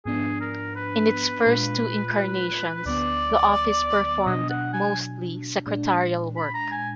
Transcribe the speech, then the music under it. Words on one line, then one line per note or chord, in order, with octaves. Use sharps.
In its first two incarnations the office performed mostly secretarial work.
G#2 F3 B3 D4 G#4
A#4
B4
A#2 G#3 D4 F4 B4
D2 D3 F#3 B3 D5
B2 F#3 D4 D#5
F#5
G#5
A#2 G#3 D4
B5
A#5
G#5